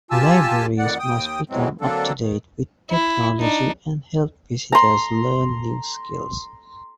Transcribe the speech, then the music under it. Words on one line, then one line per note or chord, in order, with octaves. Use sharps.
Libraries must become up to date with technology and help visitors learn new skills.
F4 G4 G#5 A5 E6
F2 A2 D#3 D5 F#5
D#2 G5 D#6
E2 A2 E3 F#3 G#3 C4
D3 F#3 A#3 C4 D4 A4
D#3
E4
D4 D#4
A#5 C6